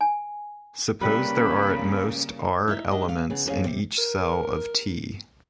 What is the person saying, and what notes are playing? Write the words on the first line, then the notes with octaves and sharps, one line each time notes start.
Suppose there are at most "R" elements in each cell of "T".
G#5
C#3 G3 A#3 B4 B5
D#4 E4 D5 E5
D4 G4 D#5
F5
C#3 B3
F2 A#3 C#4 G#4 F5
C3
A#4